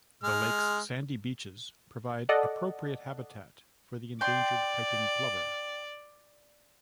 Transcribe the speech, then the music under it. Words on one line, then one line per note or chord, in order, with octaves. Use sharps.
The lake's sandy beaches provide appropriate habitat for the endangered piping plover.
G#3 F6
A4 D5 D#5 F#5
D5 G5 C6